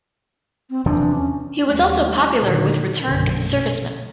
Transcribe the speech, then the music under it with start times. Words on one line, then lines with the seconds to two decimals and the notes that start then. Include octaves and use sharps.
He was also popular with returned servicemen.
0.70 C4
0.86 E2 C3 F3 D4
1.15 C#4
1.65 D#2 G3 A3
2.38 A#2 D3 D#3
3.06 A#1 F#2 B2 D3 F3
3.44 A3